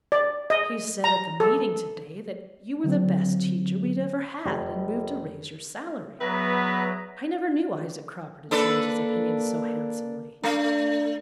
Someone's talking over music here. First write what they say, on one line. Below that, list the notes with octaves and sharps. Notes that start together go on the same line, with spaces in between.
"He said at the meeting today that you were the best teacher we had ever had and moved to raise your salary. I never knew Isaac Cropper to change his opinions so handsomely."
D5
D#5
A#5
A4
D3 F#3 C4
F1
E2 F#3 B3 B4 E5 A#5
A#3 D4 A4 B4
A3 D4